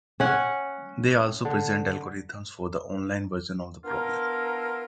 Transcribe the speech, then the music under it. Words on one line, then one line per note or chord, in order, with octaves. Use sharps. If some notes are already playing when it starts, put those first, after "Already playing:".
They also present algorithms for the "online" version of the problem.
C#4 F#5
D3
B3 D4 E4 F4 A#4